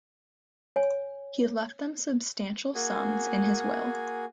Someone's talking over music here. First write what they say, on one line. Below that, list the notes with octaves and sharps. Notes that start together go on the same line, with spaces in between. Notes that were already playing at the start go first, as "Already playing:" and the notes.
He left them substantial sums in his will.
C#5 G#5
A#3 F#4 G#4 G#5